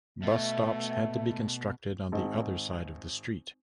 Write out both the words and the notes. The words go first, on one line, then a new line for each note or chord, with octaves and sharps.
Bus stops had to be constructed on the other side of the street.
B2 A3 E5
G#1